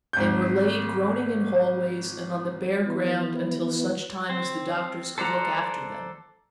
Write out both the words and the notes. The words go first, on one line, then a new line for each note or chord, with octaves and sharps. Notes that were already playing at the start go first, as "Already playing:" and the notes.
They were laid groaning in hallways and on the bare ground until such time as the doctors could look after them.
G#1 G6
E3 B3
C4
A4 C5 D5 F#5 A#5